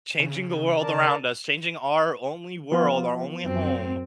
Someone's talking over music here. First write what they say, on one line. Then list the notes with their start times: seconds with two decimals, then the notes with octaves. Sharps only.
changing the world around us, changing our only world, our only home
0.20 C#3
0.81 A#4 D5 A5
2.72 F3 B3 F4
3.44 F#2 C4